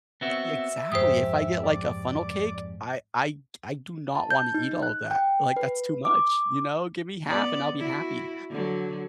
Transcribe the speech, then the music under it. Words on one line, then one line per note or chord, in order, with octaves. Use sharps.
eh ye exactly. If I get, like, a funnel cake, I I t I do not wanna eat all of that, like, that's too much, you know? Give me half, and I'll be happy.
B3 C4 F#4 E5
F2 G#2 G4 C5 D#6
D5
A5
G6
D#4
F#6
G5
B4
D6
B3 D5
E4 F#4
D3 F#3